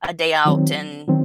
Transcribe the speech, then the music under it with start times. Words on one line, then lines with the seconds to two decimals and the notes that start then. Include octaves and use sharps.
a day out, and
0.45 D#3 F#3 C4
1.08 D#3 F#3 C4